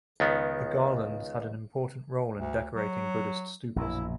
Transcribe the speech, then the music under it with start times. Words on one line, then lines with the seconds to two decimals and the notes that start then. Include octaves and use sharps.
The garlands had an important role in decorating Buddhist stupas.
0.20 C#2 D#3 B3
2.36 D2
2.75 F#3
3.76 A#1 F#2 B2 E4